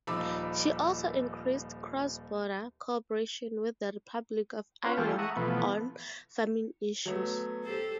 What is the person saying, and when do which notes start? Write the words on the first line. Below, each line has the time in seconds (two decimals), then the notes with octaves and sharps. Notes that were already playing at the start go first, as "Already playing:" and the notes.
She also increased cross-border co-operation with the Republic of Ireland on farming issues.
0.07 D#1 F3 D#4 B5 D6 E6
4.84 B3 C#4 F4 C5 F#5
4.97 E3 G#3 A3 F4 G4 A4
5.19 E5 F#5 A#5 C#6 D#6
5.36 B2 E3 F3 A3 B3
7.06 F#3 A3 B3
7.64 G4 A4 C5